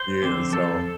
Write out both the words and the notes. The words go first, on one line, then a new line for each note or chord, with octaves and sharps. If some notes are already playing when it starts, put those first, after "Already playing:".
Yeah, so
Already playing: C5
D3 F3 C4
F2 A4